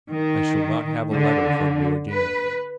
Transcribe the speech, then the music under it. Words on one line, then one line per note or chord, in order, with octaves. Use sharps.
"I shall not have a letter from you again."
D#3
D3
B4